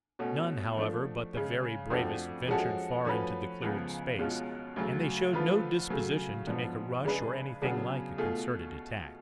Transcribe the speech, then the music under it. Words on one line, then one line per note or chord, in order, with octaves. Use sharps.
None, however, but the very bravest ventured far into the cleared space, and they showed no disposition to make a rush or anything like a concerted attack.
B2 A3 C#4 F#4
F3 A3 D4
C#3 G#3 C#4
F2 F3 A3 D4 F#4
F3 G#3 C#4 F#4 A4
F3 A3 C#4 F#4 B4
C#2 C#3 F3 B3
C#2 B2 G#3 C#4 F4
D2 C#3 F#3
D3 F3 A3 F4 B4
C#3 F#3 A3
G#2 F3 B3 D4 F#4
C#3 G#3 D4 G#4 B4
C#3 F#3 B3 D4 G#4
B2 A3 F4 G#4